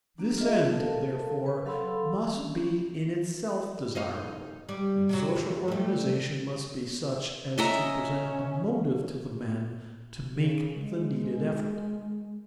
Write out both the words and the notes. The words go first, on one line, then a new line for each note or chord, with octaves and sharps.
This end, therefore, must be in itself desirable, and social organization must be such as to present a motive to the men to make the needed effort.
A#3 D4
F4 G#4 A#4 B4 D#5 E5
A4 A#4 F5 A5
B4
F#3 A4 F5 B5 C6 E6
C#4 D4
D#4 D#5 F5
G3
C3 F#3
E2
G3 A3
C#4 D#5 E5 A#5
C#3
G#3